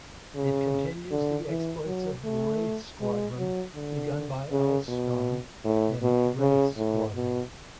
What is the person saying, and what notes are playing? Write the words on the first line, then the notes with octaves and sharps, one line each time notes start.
It continues the exploits of Wraith Squadron begun by Allston in "Wraith Squadron".
C#3
D3
E3
F#3
A3
G#3
F#3
D3
C#3
B2
A2
B2
C#3
A2
B2